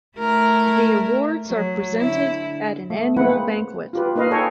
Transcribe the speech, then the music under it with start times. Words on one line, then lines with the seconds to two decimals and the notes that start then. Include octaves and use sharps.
The awards are presented at an annual banquet.
0.18 A3 E4 A#4
1.46 F#3
1.97 D3 E4
2.90 A3
3.16 G#3 A#3 C4 E4 B4 F#5
3.93 F4 G4 B4
4.16 A#3 D#4 B4 D#5 F5
4.31 A4 C#5 D#5 G5 G#5